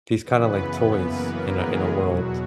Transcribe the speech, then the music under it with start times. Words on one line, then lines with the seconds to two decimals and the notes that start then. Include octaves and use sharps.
these kinda, like, toys in a in a world,
0.23 F#2 C#3 E3 B3 B4
0.64 B3 B4
1.06 A#3 A#4
1.47 G#3 G#4
1.88 E2 B2 F#3 F#4